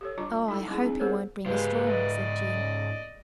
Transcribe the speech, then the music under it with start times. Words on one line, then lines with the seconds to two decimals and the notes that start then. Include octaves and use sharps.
"Oh, I hope he won't bring a storm," said Jean.
0.01 G4 A4 C#5
0.18 G3 D4 F4 A#5 C#6 D6
0.47 G#3 D#4 E4 A4
0.67 G3 A#3 C#4 E4 G#4
0.83 C4 D4 D#4
1.00 B3 G#4 A#4 C5 C#5
1.46 G#2 G#3 F4 G4 B4
1.88 D5 D#5
2.51 C#4